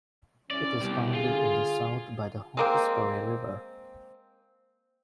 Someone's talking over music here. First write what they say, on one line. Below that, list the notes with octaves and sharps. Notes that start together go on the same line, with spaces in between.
It is bounded in the south by the Hawkesbury River.
C2 C#4 E4 D5
C2 B3 G4
D3 F4 G#4 G#5
G#3 A#3 C4